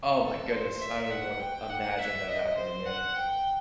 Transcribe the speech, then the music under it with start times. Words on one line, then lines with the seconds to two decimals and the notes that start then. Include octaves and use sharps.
Oh my goodness, I don't even wanna imagine that happen to me,
0.24 A4
0.52 C5
0.82 E5
1.11 F#5
1.40 G5
1.69 F#5
1.98 E5
2.28 D#5
2.57 C5
2.86 F#5
3.15 G5